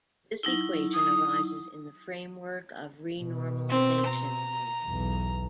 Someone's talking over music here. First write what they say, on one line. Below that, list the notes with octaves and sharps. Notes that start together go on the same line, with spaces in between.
This equation arises in the framework of renormalization group.
F#3 D#4 E4
D#6
B2
C4
A#5
B1 E2